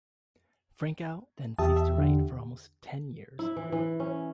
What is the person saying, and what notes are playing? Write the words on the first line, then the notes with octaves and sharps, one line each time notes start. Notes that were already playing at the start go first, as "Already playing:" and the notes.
Frankau then ceased to write for almost ten years.
E2 G4 E5 A5 D#6
E5
D3
E4
E3
E3
C#4